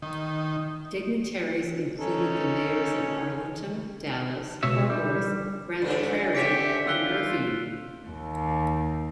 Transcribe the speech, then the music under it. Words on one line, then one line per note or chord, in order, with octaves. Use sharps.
Dignitaries included the mayors of Arlington, Dallas, Fort Worth, Grand Prairie, and Irving.
D#3
C#4 D#4 A4
C#2 B2 C#5 E5
G3
G2 D3 A3 C#4
C4 G4 C#5 E5 B6 C#7 D7
F4 E6 F#6 G7
D#2